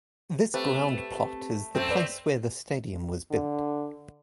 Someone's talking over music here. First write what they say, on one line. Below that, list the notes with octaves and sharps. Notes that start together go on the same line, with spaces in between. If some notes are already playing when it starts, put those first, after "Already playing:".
This groundplot is the place where the stadium was built.
A3 C4 G4 B4
F#2 A3 C4
B4 D5
D3